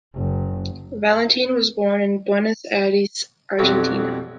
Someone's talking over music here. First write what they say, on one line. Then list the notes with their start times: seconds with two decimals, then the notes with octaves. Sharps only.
Valentin was born in Buenos Aires, Argentina.
0.14 F#1
3.59 B1 F2 F#3 G3